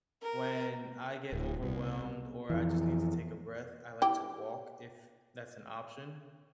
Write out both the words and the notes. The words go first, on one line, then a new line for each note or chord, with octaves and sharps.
when I get overwhelmed or I just need to take a breath, I like to walk if that's an option.
A#4
D1
C2
F2 E3
E4 G4